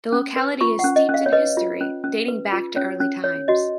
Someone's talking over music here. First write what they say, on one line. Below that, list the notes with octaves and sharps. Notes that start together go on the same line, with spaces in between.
The locality is steeped in history, dating back to early times.
C#4
B4
F4 C#6
F#5
C#4
D#5
C#4
F5
C#5
B4 D#5
F4
C#4
C#4
B4
F4
C#4 C#5
C#4
C#5
F#4 D#5